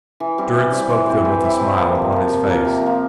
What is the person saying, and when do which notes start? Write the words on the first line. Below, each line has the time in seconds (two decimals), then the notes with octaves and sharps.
Durrance spoke them with a smile upon his face.
0.20 E3
0.38 G3 C4 E4
0.55 E3
0.72 G3 C4 E4
0.90 E3
1.07 G3 C4 E4
1.25 E3
1.42 G3 C4 E4
1.59 C3
1.78 F3 A#3
1.95 C3
2.12 F3 A#3
2.30 C3
2.47 F3 A#3
2.65 C3
2.82 F3 A#3